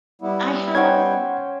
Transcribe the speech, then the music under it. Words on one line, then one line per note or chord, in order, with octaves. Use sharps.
I have
G3 B3 E4
C#4 C5 F#5 G5 G#6